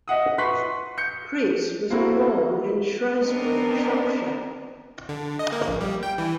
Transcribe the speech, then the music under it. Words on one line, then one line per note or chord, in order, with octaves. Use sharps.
Preece was born in Shrewsbury, Shropshire.
D#5 E5 F#5 D#6
B4 C6 C#6 F#6 B6
G6 C#7
A#3 C4 E4 F#4 A4
B3 C4 D4 D#4 A#4
D3
D#5
A#3
A#1
G3
G5
E3